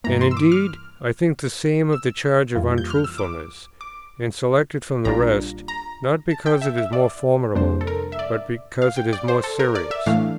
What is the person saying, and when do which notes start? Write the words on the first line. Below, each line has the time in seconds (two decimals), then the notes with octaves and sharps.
And indeed I think the same of the charge of Untruthfulness, and select it from the rest, not because it is more formidable but because it is more serious.
0.04 G2 E3 A#3 A#5
0.21 C6
0.31 E6
0.37 D6
0.52 F6
1.93 E6
2.55 F2 E3 G3 A#3 F4
2.78 G6
2.90 F6
3.04 E6
3.18 D6
3.81 D6
5.05 A#1 A#2 G3 D4 F4 A#5
5.68 A#5
6.31 A5
6.46 G5
6.62 E5
6.78 E5
6.93 D5
7.55 F2 C3 G3 A#3 D4 C5
7.81 A4
7.87 A#4
8.12 E5
8.19 D5
8.82 F5
8.96 G5
9.13 D5
9.28 C5
9.44 A4
9.59 A#4
9.75 D5
9.91 E5
10.06 A2 E3 A3 D4 F5